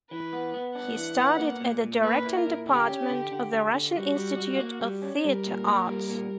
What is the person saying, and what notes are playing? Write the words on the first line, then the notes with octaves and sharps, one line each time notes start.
He studied at the directing department of the "Russian Institute of Theatre Arts".
E3 B4
B3
B3
D4 F#5
E3
B3
A#3
A#2
A#2
A#3 B4
E4
A#4
A#2
D3 G4
C#4
D3
D3
D3
D3
G3 F#4
G3
G3
A#3
G3
C#4
G3 A#4
A#2
A#3
G3
A#2